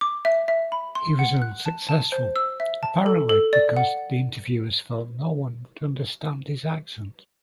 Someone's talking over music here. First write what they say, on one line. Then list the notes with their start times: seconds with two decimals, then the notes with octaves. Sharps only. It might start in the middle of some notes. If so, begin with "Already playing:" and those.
He was unsuccessful, apparently because the interviewers felt no-one would understand his accent.
0.01 D6
0.25 E5
0.48 E5
0.72 B5
0.95 C6
1.19 F#5
1.42 F#6
1.66 A5
1.89 A5
2.12 C5
2.36 E6
2.60 E5
2.83 A5
3.06 A4
3.29 A4
3.53 D5
3.77 F#5